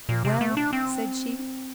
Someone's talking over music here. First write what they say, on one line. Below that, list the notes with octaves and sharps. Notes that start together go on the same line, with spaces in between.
"Well?" said she.
A#2
C3
A3
D4
C4